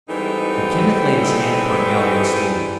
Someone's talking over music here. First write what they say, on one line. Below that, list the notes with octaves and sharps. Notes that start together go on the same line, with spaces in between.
But Kenneth laid his hand upon Galliard's sleeve.
G#2 E3 G3 C4 D#4 A4